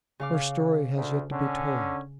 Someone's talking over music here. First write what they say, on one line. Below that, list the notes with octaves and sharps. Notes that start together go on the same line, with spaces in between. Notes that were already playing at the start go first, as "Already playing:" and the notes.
Her story has yet to be told.
C#3 F5 D6
D2
D3 C#4